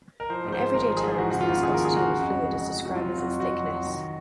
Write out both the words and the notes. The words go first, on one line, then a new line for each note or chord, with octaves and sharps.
In everyday terms, the viscosity of a fluid is described as its "thickness".
A#4
F3 C5
G#2
C5
G#3
G#1 A#4
F3
G#4
G#2
F3 F#4
C#3 F#4
F4
D#2
D#2 G#4
F3 A#4
G#4
C#3 F#4
C#3
F2
G#3
F1
C#3
F2 F#4
F#3 F4
C3
F#4
F2
F2 F#4
F#3
C3
D#3